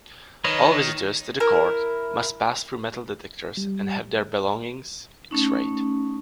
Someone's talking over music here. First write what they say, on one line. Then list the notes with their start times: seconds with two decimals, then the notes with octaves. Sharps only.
All visitors to the Court must pass through metal-detectors and have their belongings X-rayed.
0.44 D#3 B4 C#5 D#5
1.40 E4 A#4
3.57 G3
5.31 A3 C#4 D#4